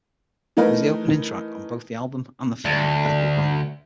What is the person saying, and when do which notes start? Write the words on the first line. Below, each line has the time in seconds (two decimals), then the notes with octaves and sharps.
It was the opening track on both the album and the film "Purple Rain".
0.57 E3 A3 D#4 A#4 B4
2.65 D2